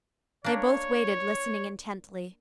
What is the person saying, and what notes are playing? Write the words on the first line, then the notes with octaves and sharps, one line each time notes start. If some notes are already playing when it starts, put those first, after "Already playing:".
They both waited, listening intently.
A#3 D4 C#5